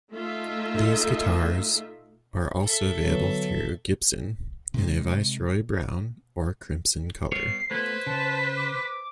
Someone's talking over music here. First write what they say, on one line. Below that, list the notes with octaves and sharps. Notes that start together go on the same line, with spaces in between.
These guitars are also available through Gibson, in a viceroy Brown or Crimson colour.
A3 D#4 F4 A4 E5
A4 E5
D3 F#3 B3
C3 G#3
G3 B3 C#5 C7
A3 B3 F4 B4 C5 G#6
C#3 A5
D6